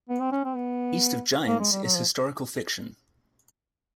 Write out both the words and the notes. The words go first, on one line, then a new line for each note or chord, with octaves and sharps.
"East of Giants" is historical fiction.
B3
C4
C#4
C4
B3
A#3
G#3
G3
F#3
F3